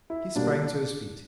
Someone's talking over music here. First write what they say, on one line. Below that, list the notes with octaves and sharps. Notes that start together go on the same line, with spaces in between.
He sprang to his feet.
E4
B2 G3 A#3 D4